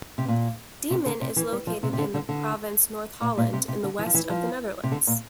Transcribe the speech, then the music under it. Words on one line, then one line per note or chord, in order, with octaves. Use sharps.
Diemen is located in the province North Holland, in the west of the Netherlands.
C3
A#2
C3
D3
C3
E3
G3
F3
C3
C3
D3
D3
D3
A#2
A#2
C3
C3
D3
E3
F3
E3
F3
C3
D3
A#2